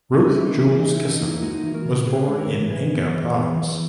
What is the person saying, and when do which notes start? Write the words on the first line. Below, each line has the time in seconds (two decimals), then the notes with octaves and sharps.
Ruth Jewels Kissam was born in Enga Province.
0.14 C#4 D#4 F#4
0.30 E4
0.35 A#3
0.46 D#4
0.56 E3
0.62 E4
0.78 E3 D#4
0.94 E4
1.00 C#4
1.10 D#4
1.21 A#3
1.26 E4
1.42 G#3 D#4 F#4
1.63 E3
1.74 F#4 A#4
1.85 C#3
2.06 C#3 G#4 B4
2.28 G#3
2.38 A#4 C#5
2.49 E3
2.70 E3 G#4 B4
2.92 B3
3.13 E3
3.35 B3
3.56 E3